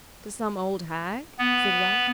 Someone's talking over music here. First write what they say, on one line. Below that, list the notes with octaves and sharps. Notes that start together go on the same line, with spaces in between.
'To some old hag?' said Ralph.
B3